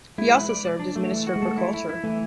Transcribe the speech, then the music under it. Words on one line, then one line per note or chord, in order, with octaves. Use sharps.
He also served as Minister for Culture.
G#3 E4
B4
D5
D5
D4
A3
E3
F#4
G#3
A3 A4
E4
E4
E4
E3 A3